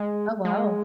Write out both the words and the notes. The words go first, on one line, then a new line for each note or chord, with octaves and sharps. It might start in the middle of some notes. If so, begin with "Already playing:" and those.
Oh, wow.
Already playing: G#3
G#3